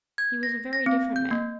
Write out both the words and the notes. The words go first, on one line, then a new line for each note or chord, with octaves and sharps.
He was a very different man.
G#6
A#6
A#6
C4
G6
A#3